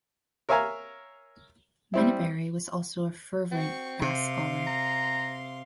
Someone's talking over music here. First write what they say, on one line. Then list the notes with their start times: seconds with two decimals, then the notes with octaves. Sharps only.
Minaberri was also an fervent Basque scholar.
0.49 A#4 C#5 E5 F5 G#5 A#5
1.94 G3 C4 E4
3.52 C4 F#4 C#6
4.02 C3 F5 C6
4.67 A#5